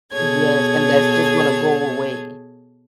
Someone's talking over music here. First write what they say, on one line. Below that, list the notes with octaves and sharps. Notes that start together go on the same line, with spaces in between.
Yes, and that's just gonna go away.
B2 G#4 A4 C#5 G#6